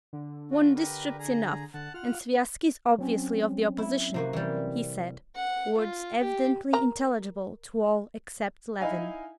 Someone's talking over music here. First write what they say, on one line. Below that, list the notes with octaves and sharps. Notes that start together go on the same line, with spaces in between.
"One district's enough, and Sviazhsky's obviously of the opposition," he said, words evidently intelligible to all except Levin.
D3
F4 F#4
G4 A#4 B4
G#4 A#5
D3 F#5 A5
F4 F#5 F6
F#3 C4 C#4
E4
C3 A#3 F#4
E3 G3
F#5
F4
G4
A#4 A#5
D#4 E4 D#5 F5 G#5